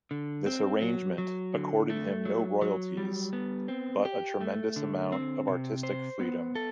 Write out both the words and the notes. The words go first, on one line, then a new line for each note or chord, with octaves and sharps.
This arrangement accorded him no royalties, but a tremendous amount of artistic freedom.
D3
C4
F#3
F#3
D3
A3
F#3
F#3
G3
B3
C4
G4
A3
D3
C4
C3
C5
B3
A4